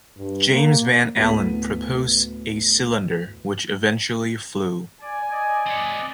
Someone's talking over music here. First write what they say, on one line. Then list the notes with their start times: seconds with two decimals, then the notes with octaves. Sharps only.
James Van Allen proposed a cylinder, which eventually flew.
0.18 G2
0.53 A#3
1.16 D2 A2 B3 A4 B6 D#7
5.02 D5 G#5
5.31 D5 D#5
5.67 C4 F#5